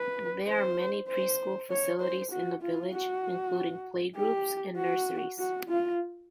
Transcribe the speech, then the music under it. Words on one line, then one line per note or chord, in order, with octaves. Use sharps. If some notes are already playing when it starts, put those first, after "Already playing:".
There are many pre-school facilities in the village including playgroups and nurseries.
Already playing: B4
C5
C5
C#5
C5
F#4
F4
F#4
G4
F#4
F#4
F4